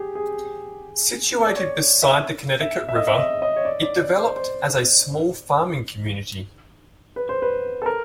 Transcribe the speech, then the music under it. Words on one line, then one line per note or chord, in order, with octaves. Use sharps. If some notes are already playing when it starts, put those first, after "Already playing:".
Situated beside the Connecticut River, it developed as a small farming community.
Already playing: G4 G#4
G#4
D5
C#5
E5
E5
E5
D#5
E5
D#5
D#5
C#5
D5
D5
D5
C5
C5
B4
C5
B4
A4
A#4